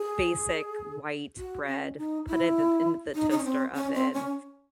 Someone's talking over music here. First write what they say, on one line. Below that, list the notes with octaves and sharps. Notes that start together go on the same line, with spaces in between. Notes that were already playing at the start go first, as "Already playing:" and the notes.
basic white bread, put it in in the toaster oven,
Already playing: G#4
F#4
C#4
D#4
E4
D#4
D#4
C#4
C4
C#4
C4
C#4